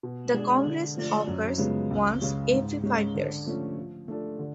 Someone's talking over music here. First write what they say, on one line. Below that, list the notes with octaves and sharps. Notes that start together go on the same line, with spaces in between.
The congress occurs once every five years.
B2
G#3 D4 G#4
D3
F3 A3 D4
F#2
C#3 F3 G#3 B3
C#2
C#3 G#3 C#4
G#2
G#3 C#4
D3
F3 A3 C#4
F3
A3 D4 F4 A4
D3